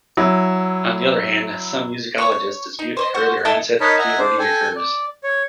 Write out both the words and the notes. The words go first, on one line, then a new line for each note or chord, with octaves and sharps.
On the other hand, some musicologists dispute that earlier onset of puberty occurs.
F#3 E4
C#5 C#6
C#5
D#4
C5 C#5 D#5
F#4 C5
E4 A4 D#5 A5
D#4 A#4 C#5 D#5 A5 B5
D#5 E5 F#5 G#5 A#5
D4 C5
A4 G5 G#5
D5
C#5